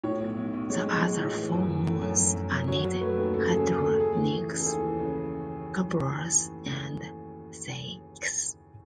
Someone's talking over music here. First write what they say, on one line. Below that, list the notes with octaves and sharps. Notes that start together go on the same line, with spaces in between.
The other four moons are named Hydra, Nix, Kerberos, and Styx.
A2 C#5
B1
B1
B1
G#3 C#5
G#3
G#3
A2
E3
F#2
E3
A3
F#2
F#2
F#2
F#2
F#3 C#5
F#3
A3 B4
D#2
C#3 A4
C#3 G#4
A4
A3
A4
A3
A3 G#4
E3
E3
C#3
A4
D#2 G#4
E3
C#3